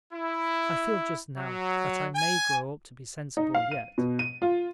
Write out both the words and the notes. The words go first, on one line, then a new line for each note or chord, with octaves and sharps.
I feel just now that I may grow up to be sensible yet.
E4
F#3
G#5
D#4
F5
D#7
B2
D#7
F4